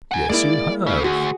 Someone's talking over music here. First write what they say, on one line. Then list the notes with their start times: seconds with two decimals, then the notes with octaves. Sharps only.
"Yes, you have."
0.11 F#5 G#5
0.29 G#3 A#3 E4 D5
0.86 C#3
1.04 D2 F#4 G#4